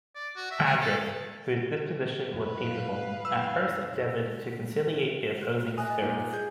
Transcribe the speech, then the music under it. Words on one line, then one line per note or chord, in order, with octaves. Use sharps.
Adret, whose disposition was peaceable, at first endeavored to conciliate the opposing spirits.
D5
F#4
E5
G#4
A4
F#2 E4 B4 D#5
F5
E6
E5 G#5 D#6 F#6
D#5
A#2 D#4 F#5
G#4 G6